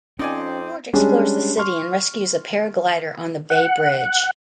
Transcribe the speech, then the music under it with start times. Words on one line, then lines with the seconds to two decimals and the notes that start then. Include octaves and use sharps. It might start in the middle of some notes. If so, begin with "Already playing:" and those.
George explores the city and rescues a paraglider on the Bay Bridge.
0.19 F2 C4 C#4 D#4 C5 D5 G#5
0.93 G3 G#3 C#4 D4 G#4
1.57 C6 C#6 F6
3.50 F#5